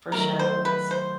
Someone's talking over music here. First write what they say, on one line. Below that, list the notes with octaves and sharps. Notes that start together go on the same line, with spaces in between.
for shows.
D#3 F#3 A3 A#4
C5
B4
C5